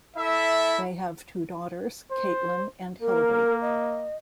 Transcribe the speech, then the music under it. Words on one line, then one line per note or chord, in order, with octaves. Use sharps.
They have two daughters, Caitlin and Hillary.
E4 A4 E5
C5
A#3 A#4
D#5